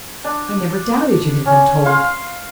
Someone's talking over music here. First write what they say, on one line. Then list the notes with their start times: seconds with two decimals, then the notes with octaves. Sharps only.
I never doubted you had been told.
0.24 D4
1.45 C#4
1.86 F5 C6